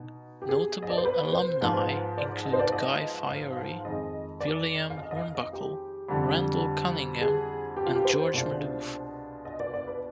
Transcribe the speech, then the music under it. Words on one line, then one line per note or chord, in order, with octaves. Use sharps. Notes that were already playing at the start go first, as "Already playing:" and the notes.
Notable alumni include Guy Fieri, William Hornbuckle, Randall Cunningham, and George Maloof.
Already playing: B2 D#4
G4
G#4
D#5
D5
C5
B4
C5
G#2 F3 B3 F4
D5
D#5
C5
D5
D#5
F5
F5
F2 D#3 G#3 D#5
D5
F5
D#5
D#5
F5
D#5
G4
F2 D3 G3
G#4
G4
F4
G4
C5
C2 B2 G#3 D4 F4
D#5
D5
D5
B4